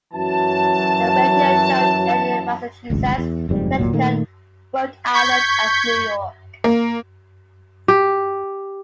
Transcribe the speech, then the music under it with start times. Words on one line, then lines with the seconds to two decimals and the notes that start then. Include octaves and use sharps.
The radio show aired in Massachusetts, Connecticut, Rhode Island and New York.
0.13 F#2 E3 F#3 A5
2.90 D1 G#1 C#2
3.18 E2
3.49 F#1 F2 G#2 G3
3.78 G#1 D#2 A#2 F#3
3.93 A#2 D#3 A3 A#3
5.13 C#6 G6 G#6 B6
6.64 A#3
7.88 G4